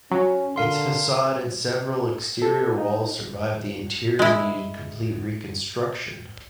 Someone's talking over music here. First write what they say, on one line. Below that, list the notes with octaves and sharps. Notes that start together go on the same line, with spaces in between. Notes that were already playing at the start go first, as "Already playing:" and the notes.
Its facade and several exterior walls survived; the interior needed complete reconstruction.
F#3 C#4
D3 A#4 F5 C6
A4
D#4
G#3 E4